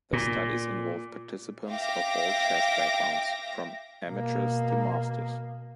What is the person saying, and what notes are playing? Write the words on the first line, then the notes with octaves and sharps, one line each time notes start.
The studies involve participants of all chess backgrounds, from amateurs to masters.
A#2
E5 F5 G5 D6 A#6
B2 A#3